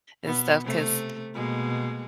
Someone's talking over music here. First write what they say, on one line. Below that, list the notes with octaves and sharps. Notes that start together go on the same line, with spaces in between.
and stuff 'cause
B2 B3
C3 A3
B2 G#3 A#3